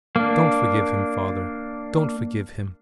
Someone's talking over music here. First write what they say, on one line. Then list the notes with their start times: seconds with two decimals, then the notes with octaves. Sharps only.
'Don't forgive him, father, don't forgive him!
0.16 A#3 D4